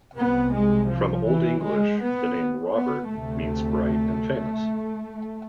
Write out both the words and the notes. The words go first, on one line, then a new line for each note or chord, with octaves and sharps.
From old English, the name "Robert" means bright and famous.
C2 C3 B3
G#3
F3
E3
G#3
B3
B3
D2 C3 A3